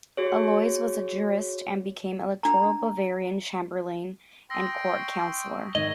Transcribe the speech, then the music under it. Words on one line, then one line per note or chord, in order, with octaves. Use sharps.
Aloys was a jurist and became electoral Bavarian chamberlain and court councilor.
F#4 G#4 C#5
D4 A#5
G5 C6 D#6 E6 A#6
C#6 A#6
G#2 D#3 D#5 G#6 A#6